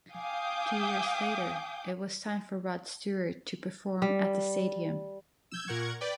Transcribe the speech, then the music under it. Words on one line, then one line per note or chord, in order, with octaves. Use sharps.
Two years later, it was time for Rod Stewart to perform at the stadium.
F5 G5 G#5 D6 D#6 G6
G3
E6 G6 G#6
A#2 A#4 F#5 C#6 G#6
B4 D5 G5